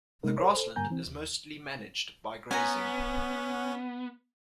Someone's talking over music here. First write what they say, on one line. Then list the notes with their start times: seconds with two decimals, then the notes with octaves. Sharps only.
The grassland is mostly managed by grazing.
0.23 C3 G#3 A#3 B3 D#4 A#4
0.38 G4 A#4 C#5
0.53 A4 C5
0.76 G2 D3 A#3 G#5 A#5 G6
0.90 E3 C4
1.06 D#2
2.51 B3 C#4 G#5 A#5